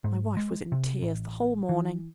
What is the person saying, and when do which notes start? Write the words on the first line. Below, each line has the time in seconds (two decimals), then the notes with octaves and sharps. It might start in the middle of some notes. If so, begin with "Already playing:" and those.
My wife was in tears the whole morning.
0.04 G#2
0.37 G#3
0.72 C3
1.02 A1
1.69 E3